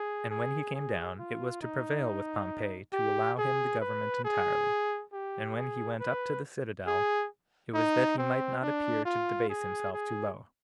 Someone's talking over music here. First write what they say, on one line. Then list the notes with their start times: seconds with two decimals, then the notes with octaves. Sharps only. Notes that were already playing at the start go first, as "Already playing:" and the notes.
And when he came down, it was to prevail with Pompey to allow him the government entirely; and when he went up to the citadel, it was that he might not appear to debase himself too low.
Already playing: G#4
0.30 G#4
0.75 G#4
1.19 F4
1.62 D#4
2.93 G4
3.38 G#4
3.81 B4
4.25 G#4
5.13 G4
5.55 G#4
6.00 B4
6.87 G#4
7.74 D#4
8.18 C4
8.62 D4
9.05 F4
9.49 G#4
9.93 G#4